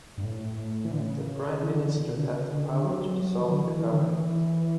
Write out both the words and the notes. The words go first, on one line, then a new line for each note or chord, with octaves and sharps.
The Prime Minister had the power to dissolve the government.
G2
A2
E3
D3
C#3
E3
D3
B2
D3
C#3
D3
D3
F#3
F#3
F#3
E3
D3
E3
E3
D3
E3